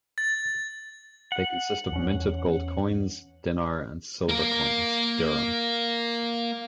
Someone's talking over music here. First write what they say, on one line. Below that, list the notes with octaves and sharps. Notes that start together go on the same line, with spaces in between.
They consist of minted gold coins, dinar, and silver coins, dirham.
A6
F#5
E2 C#4
A#3 A#4